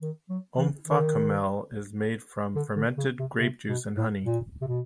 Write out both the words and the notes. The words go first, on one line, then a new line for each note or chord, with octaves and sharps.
Omphacomel is made from fermented grape juice and honey.
D#3
F#3
E3
D#3
D3
D3
C#3
C3
C3
B2
A2
A#2
C3
B2